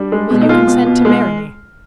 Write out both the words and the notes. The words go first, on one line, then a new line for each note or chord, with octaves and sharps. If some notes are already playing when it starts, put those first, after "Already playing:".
"Will you consent to marry me?"
Already playing: G3 D4
G#3
B2
D#4
G#3 F4
B2
B2
G#3